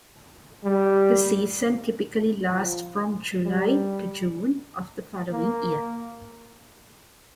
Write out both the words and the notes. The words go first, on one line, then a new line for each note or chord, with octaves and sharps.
The season typically lasts from July to June of the following year.
G3
F3
G3
A#3